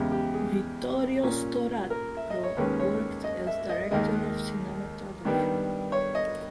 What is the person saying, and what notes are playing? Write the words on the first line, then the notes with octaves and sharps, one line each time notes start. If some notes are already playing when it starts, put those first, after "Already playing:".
Vittorio Storaro worked as director of cinematography.
Already playing: E2 C#3 G#3 G4
G4
G#4
A#2 A#3 C#4
A#4
E5
D#5
C#5
D#2 D#3 G#3 C#4 B4
C#5
D#5
E5
D#5
D#2 D#3 G#3 D#5
G2 D#3 G3 B3
C#5
D#5